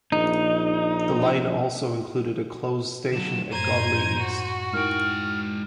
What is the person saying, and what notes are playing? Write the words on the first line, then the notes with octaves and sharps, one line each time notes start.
The line also includes a closed station at Godley East.
A#1 D#4
D3 F#3 E7
F#2 A2 A3 C5 A#5 G#6 D#7
F#4
G#3 D#4 E4 A#4 G5 F6